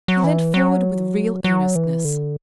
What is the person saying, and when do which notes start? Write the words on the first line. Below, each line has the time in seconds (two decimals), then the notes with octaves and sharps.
He leant forward, with real earnestness.
0.08 F#3
0.24 E3
0.54 F#3
1.44 F#3
1.75 E3
2.05 D3